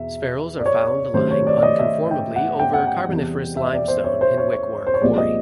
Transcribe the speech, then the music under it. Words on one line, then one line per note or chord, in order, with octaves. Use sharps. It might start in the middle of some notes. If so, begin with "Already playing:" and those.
Spherules are found lying unconformably over Carboniferous limestone in Wickwar Quarry.
Already playing: E2 B2 E5
D5
C#5
C3 D#3 F#3 A3 C#4 C5
C#5
D5
D5
D#5
E5
G5
F#5
G5
F#5
G5
E2 C3 E3 G3
E5
D5
C5
C#5
C5
C#5
C#5
C5
C#5
C2 A#2 F3 G#3 C4 D5
D#5